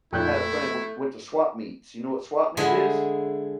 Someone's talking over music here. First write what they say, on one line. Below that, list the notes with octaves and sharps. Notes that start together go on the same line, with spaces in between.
I had a friend we went to swap meets. You know what swap meet is?
F2 A#2 A3 E4 G5 F#6 G6
D3 G#3 E4 G#4